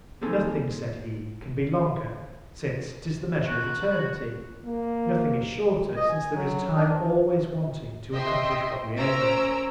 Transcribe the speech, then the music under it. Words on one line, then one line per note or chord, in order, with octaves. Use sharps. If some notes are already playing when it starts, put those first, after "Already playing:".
Nothing, said he, can be longer, since 'tis the Measure of Eternity; Nothing is shorter, since there is Time always wanting to accomplish what we aim at.
A#3 C4 D#4 G#4 A4 G#5
F#4 F#6
A#3
D#5
G#5
F#3
D4
D#5 E5 G5 C6
C#4 A#4 C5 A#5 E6 D7